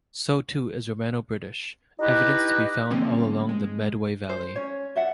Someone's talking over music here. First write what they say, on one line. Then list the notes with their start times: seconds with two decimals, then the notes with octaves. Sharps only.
So too is Romano-British: evidence is to be found all along the Medway Valley.
1.99 D#4 E4 G4 B4 D#5
2.91 D3 F3 G3 A#3 C4 C#4
3.49 G#3
4.29 C5
4.56 C#4 C#5
4.96 D5 E5 F#5